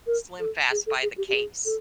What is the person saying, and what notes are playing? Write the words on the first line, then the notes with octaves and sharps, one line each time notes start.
SlimFast by the case.
A#4
A4
G#4
A4
G#4
G4
G4
G#4
A4